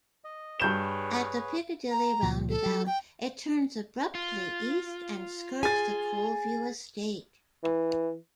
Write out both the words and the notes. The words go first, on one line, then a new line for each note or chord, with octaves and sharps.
At the Piccadilly roundabout it turns abruptly east and skirts the Coleview Estate.
D#5
G2 G#4 B4 C#5 G6 E7
A#5
C#2 A#2 F3
A4
F#3
G5
F4
G#4 G#5 A6
E3